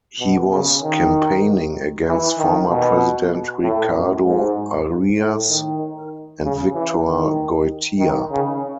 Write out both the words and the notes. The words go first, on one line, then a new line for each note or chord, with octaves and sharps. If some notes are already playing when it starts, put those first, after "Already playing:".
He was campaigning against former president Ricardo Arias and Victor Goytia.
B2
C#3
D#3
E3
D#3
B2
A2
F#2
G#2
A2
D#3
C#3
E3
D#3
D#3
C#3